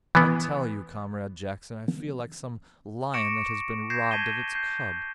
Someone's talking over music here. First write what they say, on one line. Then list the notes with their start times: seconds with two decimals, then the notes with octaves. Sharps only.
I tell you, Comrade Jackson, I feel like some lion that has been robbed of its cub.
0.15 E3 B3
3.14 C#6 D6 A#6 C#7 D7 E7
3.90 G6 G#6 A#6 C7 E7
4.11 A5 G#6 B6 D#7 E7 G7
4.55 G6 C7